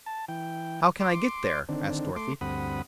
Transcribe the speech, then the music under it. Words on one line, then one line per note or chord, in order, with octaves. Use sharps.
"How can I get there?" asked Dorothy.
A5
E3 G5
C6 D6
D3 D#3 C4 D4
A3 C6 D6
D2 G2 C4 F#5 B5 D#6